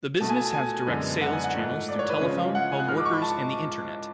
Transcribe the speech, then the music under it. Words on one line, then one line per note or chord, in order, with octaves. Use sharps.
The business has direct sales channels through telephone, home workers, and the internet.
B2 A3 A5
G#5
A5
G#5
F#2 D3 G#3 B3
F#5
G#5
F#5
G#2 F3 A3
D5
C#5
B4
C#3 F3 G#3 C#5
F5
F#5
G#5
F#6
G#2 F3 G#3 F6
D6
C#6
B5
A5